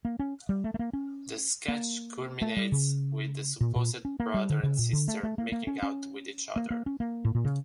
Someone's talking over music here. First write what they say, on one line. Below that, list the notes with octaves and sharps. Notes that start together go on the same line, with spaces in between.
The sketch culminates with the supposed brother and sister making out with each other.
A#3
C#4
G3
A3
A3
A#3
C#4
A#3
A3
G3
C#3
A#2
A#2
C#4
A#3
G3
D3
C#3
A#2
D3
A3
A3
A#3
A#3
C#4
C#4
A#3
A#3
C#4
A#3
A2
A#2
C#3